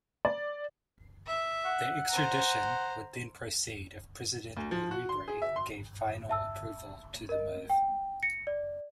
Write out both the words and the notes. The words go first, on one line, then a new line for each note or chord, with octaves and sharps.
The extradition would then proceed if President Uribe gave final approval to the move.
D5
E5
F#5
C5 A#5
D2
F3
F#4
C6
G#4
E5
C6
E5 A5 E6
A#4 D#5
G5
A#6 C#7
D5